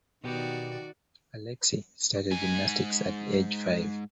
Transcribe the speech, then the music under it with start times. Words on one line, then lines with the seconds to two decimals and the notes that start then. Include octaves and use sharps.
Alexei started gymnastics at age five.
0.24 B2 D#3 B3 F#4 G4 D5
2.32 G#2 G#5